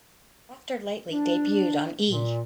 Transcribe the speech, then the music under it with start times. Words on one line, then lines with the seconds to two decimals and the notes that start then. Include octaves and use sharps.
"After Lately" debuted on E!
1.11 D4
2.08 A#2